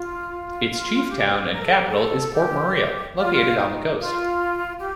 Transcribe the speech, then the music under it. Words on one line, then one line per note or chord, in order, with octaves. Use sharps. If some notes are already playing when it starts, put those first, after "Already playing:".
Its chief town and capital is Port Maria, located on the coast.
Already playing: F4
F4
F4
G4
A#4
A4
G4
A4
G4
F4
D#4
F4
G4